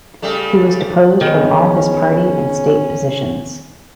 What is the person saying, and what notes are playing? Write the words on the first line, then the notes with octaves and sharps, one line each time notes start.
He was deposed from all his party and state positions.
C#3 G3 A3
D#3 B3 C#4 G#4